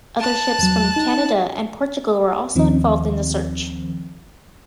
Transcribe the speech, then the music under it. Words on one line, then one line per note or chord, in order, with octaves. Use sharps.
Other ships from Canada and Portugal were also involved in the search.
A5 F#6
E2 F#3
D#4
D#2 D#3 F3 C4